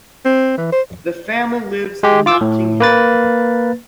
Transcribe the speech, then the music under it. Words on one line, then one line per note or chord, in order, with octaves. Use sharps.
The family lives in Notting Hill.
C4
E3
C5
G#3 G4
F4 D6 E6
A2
A#3 B4 A6